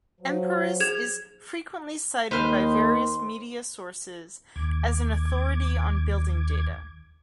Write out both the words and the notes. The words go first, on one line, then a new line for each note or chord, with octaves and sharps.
Emporis is frequently cited by various media sources as an authority on building data.
F3 F#3
G#4 G#6 F7
D#2 D#3 B4 C5 F6
D#2 D6 G#6